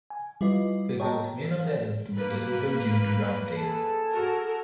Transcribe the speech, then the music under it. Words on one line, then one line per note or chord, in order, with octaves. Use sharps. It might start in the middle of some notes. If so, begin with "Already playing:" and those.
Figures may not add up to the total due to rounding.
G#5
G3 E4 F4 B4 D#5
C#5 D#5 G5 A5 A#5
A#3 B4
G#4 A4 A5
F#4 A#4